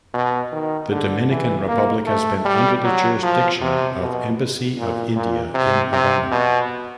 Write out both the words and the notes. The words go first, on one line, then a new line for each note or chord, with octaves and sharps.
The Dominican Republic has been under the jurisdiction of Embassy of India in Havana.
B2
D#3
D3
E3
A#3
A3
G3
F#3
F3
C3
B2
A#2
A#2
C3
C3
B2